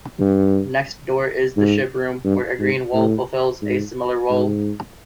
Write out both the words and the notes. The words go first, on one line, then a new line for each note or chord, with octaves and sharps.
Next door is the ship room where a green wall fulfills a similar role.
G2
G#2
G2
G#2
A2
G#2
G#2